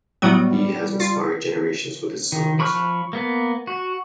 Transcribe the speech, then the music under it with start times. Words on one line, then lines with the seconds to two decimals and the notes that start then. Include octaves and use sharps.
He has inspired generations with his songs.
0.22 A2 F#3 G3 B3
1.00 F4
2.32 D#3
2.59 F3 B5 C#6 F6 F#6
3.13 A#3 B3
3.67 F#4